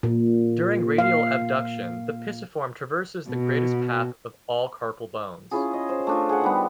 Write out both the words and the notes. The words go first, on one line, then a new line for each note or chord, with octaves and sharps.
During radial abduction the pisiform traverses the greatest path of all carpal bones.
A#2
F5
B2
C#4 E4 F4 G#4
D#5
C5
A3 D4 F4
G#4 F#5
D#3 G3 B3